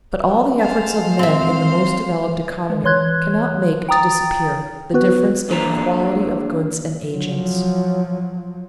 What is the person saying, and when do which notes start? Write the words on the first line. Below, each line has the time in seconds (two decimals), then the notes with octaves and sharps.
But all the efforts of men in the most developed economy cannot make to disappear the differences in the quality of goods and agents.
0.60 G#3 C5 F5 F#5 A5
1.19 C4 E5 C6
2.70 G#3
2.84 E3 C#5 C6 F#6 G#6
3.89 G5 A#5 D#6 A6
4.94 B3 F#4 B4
5.49 A#2 D3 G#4 A#5
7.10 F3 F#3